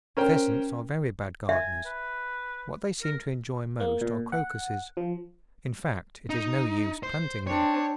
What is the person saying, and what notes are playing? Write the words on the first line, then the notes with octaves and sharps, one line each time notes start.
Pheasants are very bad gardeners; what they seem to enjoy most are Crocuses--in fact, it is no use planting them.
C#4 A#4 C5 G5
E5 G#5
B4
A#4
A#3
A#2
F#5
F3
D#4
C5
C4 D4 C#5